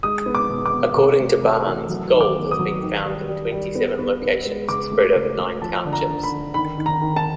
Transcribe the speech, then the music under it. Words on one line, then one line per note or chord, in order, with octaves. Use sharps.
According to Barnes, gold has been found in twenty-seven locations spread over nine townships.
G#3 D#6
B3
D6
B2
D6
B2
C3
A3
A3
E3
F#3
D#3
D6
B3
D#6
F#3
D#3
G3
G3
G3
B3
B3
B3
G#3
C#3 D6
A3
C#3
A3
F3 A5
D3
A#5
D3
B5
D3
D#3 B5
D#3
A#5
D#3
A5